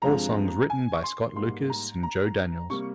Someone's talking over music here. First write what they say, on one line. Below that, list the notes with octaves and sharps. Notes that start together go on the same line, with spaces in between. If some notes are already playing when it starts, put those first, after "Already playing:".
All songs written by Scott Lucas and Joe Daniels.
G2 F3 G#3 C4 A#5
G#5
C#6
C6
G#2 G3 A#3 C6
A#5
A#5
C3 G3 A#3 C#6